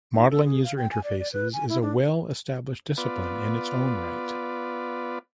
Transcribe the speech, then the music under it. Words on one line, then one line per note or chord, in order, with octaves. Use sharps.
Modeling user interfaces is a well-established discipline in its own right.
D#4
A4
G#4
F5
G5
G#5
D5
D5
B4
G#5
E4
D4
B3 F4 B4 D5